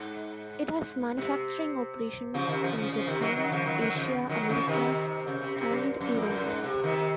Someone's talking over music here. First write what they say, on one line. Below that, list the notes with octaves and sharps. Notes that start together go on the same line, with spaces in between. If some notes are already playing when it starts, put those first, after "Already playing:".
It has manufacturing operations in Japan, Asia, Americas and Europe.
Already playing: G#2
C3
C#3 F3
C3 D#3
C#3 F3
C#3 F3
C#3 F3
C3 D#3
D#3 F#3
D#3 F#3
C#3 F3
D#3 F#3
D#3 F#3
C#3 F3
D#3 F#3
C#3 F3
C3 D#3
C#3
C3
C3
F#2
F#2
F2
F#2
G#2
C3
C3 D#3